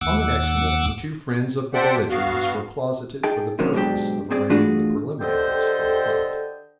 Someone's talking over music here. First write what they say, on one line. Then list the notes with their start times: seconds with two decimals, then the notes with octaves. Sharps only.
On the next morning, two friends of the bellige-rents were closeted for the purpose of arranging the preliminaries for the fight.
0.01 D#2 F#5 D6 E6
1.74 C5 D5 E5 F#5 G5 A5
2.10 G2 B3 F#4 F5
3.24 D#4 G#4 G5 A5
3.59 C3 D#3 F#3 A#3 C#4 D4
3.73 G#2 B2 F#3 D4 G4
4.31 C4 G#4 D5
4.50 E3 A3 D4 F4 F#4 G#4
5.21 D3 G4 A4 C5 D#5 G5